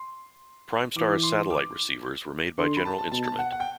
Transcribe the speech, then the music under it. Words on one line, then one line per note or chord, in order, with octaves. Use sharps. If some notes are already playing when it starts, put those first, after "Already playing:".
Primestar's satellite receivers were made by General Instrument.
Already playing: C6
E3 D6
C6
D6
D3 C6
B5
A5
A5
B2 A5
A5
F#5
F#5
G5